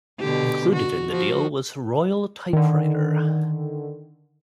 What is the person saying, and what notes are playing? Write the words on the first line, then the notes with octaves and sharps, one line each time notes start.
Included in the deal was Royal Typewriter.
B2 D3 G4
F#4
F3 F#4
D3 D#3